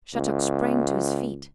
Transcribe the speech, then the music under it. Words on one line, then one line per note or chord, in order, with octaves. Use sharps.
Shattuck sprang to his feet.
C#2